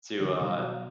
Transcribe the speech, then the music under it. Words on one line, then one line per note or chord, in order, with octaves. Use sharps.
to, uh,
C#2 D3 E3
B2 D#3 G3 A#5
F#3